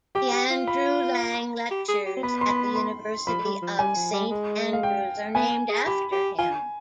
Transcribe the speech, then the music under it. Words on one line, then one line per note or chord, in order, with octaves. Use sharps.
The Andrew Lang lectures at the University of Saint Andrews are named after him.
G4 G5
G4
F4
B5
G4
G#4
G4
C4
B3 B5
C6
B5
C6
F3 B5
G3
F3
G3 G#5
F3
G3
G#3
F5
G5
B3 G#5
G#4
G4 B5
G4
F4 G#5